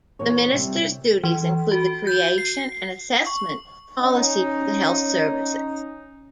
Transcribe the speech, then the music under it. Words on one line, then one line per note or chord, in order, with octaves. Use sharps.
The Minister's duties include the creation and assessment of policy for the health services.
E2 A#2 C#5
C3 G3
E3
F#4
G6
C7
C#6
C#4 D#4